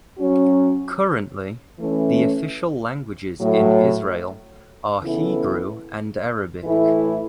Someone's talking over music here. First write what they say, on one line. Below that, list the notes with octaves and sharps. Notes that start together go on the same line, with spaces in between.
Currently, the official languages in Israel are Hebrew and Arabic.
F#3 C#4 F#4
E3 A3 C#4
A2 F#3 A3
C#3 E3 B3 E4 A4
A2 E3 A3 E4